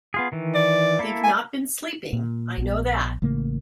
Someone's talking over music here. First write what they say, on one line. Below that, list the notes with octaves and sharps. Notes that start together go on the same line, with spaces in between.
They’ve not been sleeping, I know that.
B3 F4 G#4
D#3 E3
D5
A#3 E4 A4
G#5
A#2
A#1 B3
A1 C#3 A3 A#3